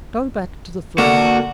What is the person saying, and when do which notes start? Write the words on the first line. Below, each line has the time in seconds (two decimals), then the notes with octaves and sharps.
Go back to the flounder.
0.98 D3 A#3 F#4 A4